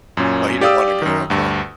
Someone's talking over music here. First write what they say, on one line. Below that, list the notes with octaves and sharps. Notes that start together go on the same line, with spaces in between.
Oh, he didn't wanna go, okay.
F#2 A#2 C#4
G4 D5 F5 D#6 E6
F#2 D#3
D2 G2